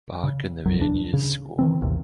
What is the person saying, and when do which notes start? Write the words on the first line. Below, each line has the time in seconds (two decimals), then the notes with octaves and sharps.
Bach and the Viennese School.
0.23 C#3
0.66 B1 F#2 F#3
0.79 D#1 C#2 D4
1.13 C#3
1.59 D#3 E3 C4
1.81 A1 D#2 G#2 C3